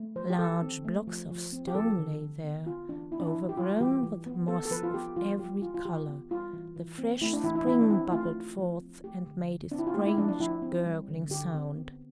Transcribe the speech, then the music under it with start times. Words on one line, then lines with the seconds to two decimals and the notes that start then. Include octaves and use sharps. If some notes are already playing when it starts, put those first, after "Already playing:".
Large blocks of stone lay there, overgrown with moss of every color; the fresh spring bubbled forth, and made a strange gurgling sound.
Already playing: A3
0.16 F3 C5
0.30 G4
0.38 F3 A4
0.62 C4
0.85 A3
1.07 F3
1.31 F3
1.53 C4
1.67 G4
1.75 F3 A4
1.98 D3
2.21 D3
2.44 B3
2.66 B3 F4
2.89 E3 D4
3.12 B3 E4
3.20 D4
3.27 E4
3.35 E3
3.49 G4
3.57 G3 F4
3.80 E3 G4
4.03 E3
4.26 B3
4.48 B3 A4
4.65 A4
4.71 F3 B4
4.83 F4
4.94 B3 G4
5.16 F3 F4
5.39 G3 G4
5.62 E3 F4
5.75 F4
5.85 E3 G4
6.08 B3
6.31 G3 F4
6.53 E3
6.76 E3
6.98 C4
7.21 A3 E4
7.33 D4
7.44 E3 E4
7.55 E4
7.67 E3 E4
7.81 D4
7.90 C4 E4
8.12 A3 F4
8.35 F3
8.58 F3
8.81 C4
9.04 A3 G4
9.26 D3
9.49 D3
9.72 C4 D4
9.79 E4
9.87 F4
9.94 A3 G4
10.06 E4
10.18 F3 D4
10.28 D4
10.39 F3 E4
10.62 C4
10.86 G3
11.08 D3
11.30 D3 G4
11.54 C4
11.76 B3